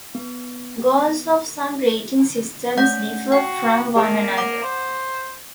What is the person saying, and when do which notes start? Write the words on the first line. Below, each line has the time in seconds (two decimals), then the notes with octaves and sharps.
Goals of some rating systems differ from one another.
0.15 B3
2.77 A3 C#4 C5 D#5 F#5 G6
3.32 F#4 G5
3.95 A#3 G#4 D5 A5
4.37 F#5 D6
4.63 C5